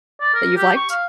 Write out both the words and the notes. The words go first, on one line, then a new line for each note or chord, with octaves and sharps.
that you've liked?
D5
A#4
G4
C#6
F5